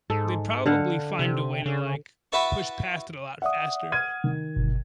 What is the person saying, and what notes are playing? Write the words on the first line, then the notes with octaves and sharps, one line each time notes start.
they'd probably find a way to, like, push past it a lot faster,
G#2 A4
D3 F5 F#5
C3
C#3
E4 F#4 B4 E5 A5 C#6
D5 E5 F#5 D#6
F6 G#6 D#7
D#3
G1 B2